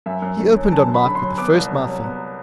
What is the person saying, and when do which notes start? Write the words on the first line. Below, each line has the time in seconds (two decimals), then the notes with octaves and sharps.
He opened on Mike with the first mouthful.
0.06 F#2 E5
0.22 F#2
0.39 D3
0.55 F#3
0.72 F#2 A5
0.88 F#2
0.94 B5
1.05 D3
1.15 C6
1.22 F#3
1.38 B3 D6
1.54 C2
1.71 C3
1.88 F#3
2.04 B3